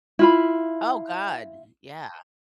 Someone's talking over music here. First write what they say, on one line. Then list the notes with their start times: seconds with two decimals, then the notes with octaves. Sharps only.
Oh, god, yeah.
0.19 E4 F4 B5